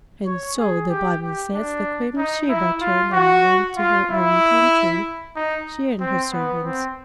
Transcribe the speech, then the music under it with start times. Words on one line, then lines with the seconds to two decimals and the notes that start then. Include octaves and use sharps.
And so, the Bible says, the Queen of Sheba turned and went to her own country, she and her servants.
0.26 C#5
0.58 G#4
0.89 G4
1.21 G4
1.53 D4
2.17 D#4
2.49 E4
2.81 F4
3.13 F#4
3.77 F4
4.08 E4
5.36 D#4
6.00 C4
6.31 B3
6.63 C4